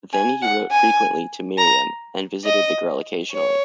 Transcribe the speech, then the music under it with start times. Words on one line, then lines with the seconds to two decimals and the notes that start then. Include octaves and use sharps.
Then he wrote frequently to Miriam, and visited the girl occasionally.
0.13 G#5
0.42 F#5
0.71 G#5
1.58 A#5
2.45 D#5
3.32 C#5